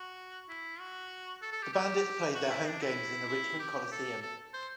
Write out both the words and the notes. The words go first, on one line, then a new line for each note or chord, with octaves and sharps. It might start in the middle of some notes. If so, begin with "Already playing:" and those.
The Bandits played their home games in the Richmond Coliseum.
Already playing: F#4
E4
F#4
A4
A4
G4
G4
F#4
E4
D4
E4
E4
G4
A4
A4
C5